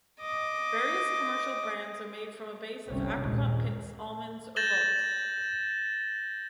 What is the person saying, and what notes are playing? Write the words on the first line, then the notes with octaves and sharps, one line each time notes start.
Various commercial brands are made from a base of apricot pits, almonds, or both.
D#5 D6
G1 C2 C3 C4 C#4
D#2 A#2 G#3
G6 A6 A#6 E7 F#7 G7